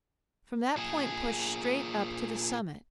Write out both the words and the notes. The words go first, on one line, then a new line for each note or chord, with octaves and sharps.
From that point push straight up to the summit.
A#2 G#4